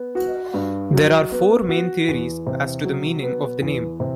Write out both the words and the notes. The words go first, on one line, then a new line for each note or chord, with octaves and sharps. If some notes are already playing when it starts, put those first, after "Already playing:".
There are four main theories as to the meaning of the name.
Already playing: B3
F#4
G2
F#3
B3
F#4
E2
C3
F#3
B3
E2
C3